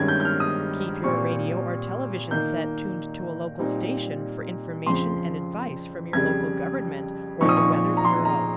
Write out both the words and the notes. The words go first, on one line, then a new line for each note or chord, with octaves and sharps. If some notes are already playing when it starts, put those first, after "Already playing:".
Keep your radio or television set tuned to a local station for information and advice from your local government or the Weather Bureau.
Already playing: G2 D#3 G#3 C#4 G#6
G6
G6
F6
D#6
A#2 G3 C4 C#6
D#3 A#3 D#4 G6
A#2 G3 C4 D#4
F2 C#3 F3 C6
F2 C#3 G3 G#6
A#2 F3 C4 D#4 C#6
D#6
C#6
C#6
A#5
C6
A#5